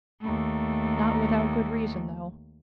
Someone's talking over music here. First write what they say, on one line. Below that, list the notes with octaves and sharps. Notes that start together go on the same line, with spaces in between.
Not without good reason, though.
D#2 A3